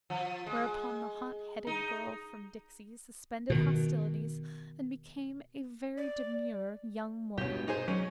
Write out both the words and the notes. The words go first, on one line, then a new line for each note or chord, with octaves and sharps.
Whereupon the hot-headed girl from Dixie suspended hostilities and became a very demure young woman.
F3
G#3
D#4
B2 D#3
D5
G2 B2 C#4 G4
D#4 G#4 C5
F#3 C#4